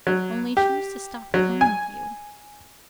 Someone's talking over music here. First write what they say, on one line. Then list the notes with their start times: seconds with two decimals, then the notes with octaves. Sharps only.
Only she used to stop at home with you.'
0.07 F#3
0.57 G4
1.34 F#3
1.61 G#5